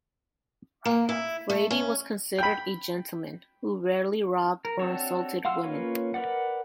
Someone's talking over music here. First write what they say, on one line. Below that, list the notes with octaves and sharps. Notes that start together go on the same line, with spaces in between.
Brady was considered a gentleman, who rarely robbed or insulted women.
A#3
E4
A3
C#4
G5 B5
A#4
C4 D4 F#4 A4 C#5
F5 F#5 C6 E6 F6
A#3 C#4 F4 B4 C#5
A#4 B4 D5 F#5